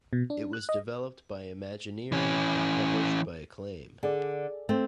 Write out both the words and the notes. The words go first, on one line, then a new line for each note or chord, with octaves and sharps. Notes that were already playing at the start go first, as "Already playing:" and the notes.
It was developed by Imagineering and published by Acclaim.
B2
D4
F#6
D#5
E3 C#4
D3 G#4 D5
A3 C4